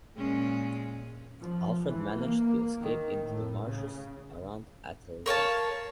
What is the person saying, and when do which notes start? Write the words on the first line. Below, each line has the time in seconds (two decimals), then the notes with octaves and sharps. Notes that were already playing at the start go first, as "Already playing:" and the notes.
Alfred managed to escape into the marshes around Athelney.
0.16 A#2 G#3 C#4
1.41 F3
1.83 E3
2.18 A#3
2.81 D#3
3.26 A2
3.66 C#3
5.26 A#4 C#5 F5 A5